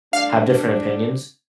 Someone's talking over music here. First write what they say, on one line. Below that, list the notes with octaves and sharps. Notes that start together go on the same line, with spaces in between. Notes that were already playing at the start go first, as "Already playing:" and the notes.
have different opinions.
A2 G3 D4 F5